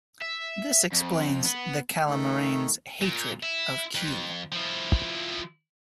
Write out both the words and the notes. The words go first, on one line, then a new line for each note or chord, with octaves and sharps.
This explains the Calamarain's hatred of Q.
E5
F2
B3
D#3 A3
A#2
E4
F2
F3 E4